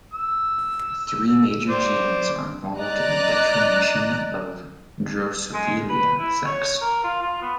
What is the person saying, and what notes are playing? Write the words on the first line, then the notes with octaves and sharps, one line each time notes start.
Three major genes are involved in determination of "Drosophila" sex.
E6
C5 D5
D5 D#5 A#5 F#6
G#3
B4
E4
C#5
A#4
F4
F4
B3